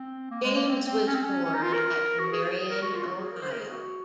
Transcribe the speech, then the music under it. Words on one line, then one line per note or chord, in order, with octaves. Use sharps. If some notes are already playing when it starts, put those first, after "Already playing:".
James was born at Marion, Ohio.
Already playing: C4
A#3
G#3
A#3
C4
C4
C#4
C4
C#4
C#4
D#4
F4
A#4
F#4
G#4
G#4
A#4
F#4
F4
F#4
G#4
A#4
C5
A#4
G#4
F#4